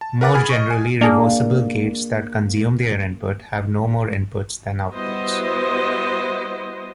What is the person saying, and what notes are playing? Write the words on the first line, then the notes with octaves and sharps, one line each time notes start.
More generally, reversible gates that consume their input have no more inputs than outputs.
A5
A#4 B4 F#5 D6 A6
G#4 G#5 B5 D#6 F6
D#5 C#6
G#5
A#3 D4 G#4
G3 B3 E4 F#4 C5 D#5